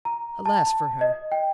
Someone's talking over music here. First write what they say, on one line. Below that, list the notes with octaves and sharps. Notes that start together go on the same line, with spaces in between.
Alas for her!
A#5
A5
A5
D#5
G5